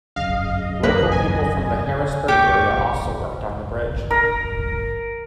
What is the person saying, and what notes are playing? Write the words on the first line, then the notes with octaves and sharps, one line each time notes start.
Local people from the Harrisburg area also worked on the bridge.
F#2 C#3 D#5 F5
A#3 B4
G#5
A#2 G4 C#6 D6
A#4